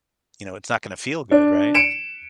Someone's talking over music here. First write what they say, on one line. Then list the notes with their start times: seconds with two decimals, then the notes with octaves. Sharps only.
you know, it's not gonna feel good, right?
1.31 D4
1.74 C#7 D7 E7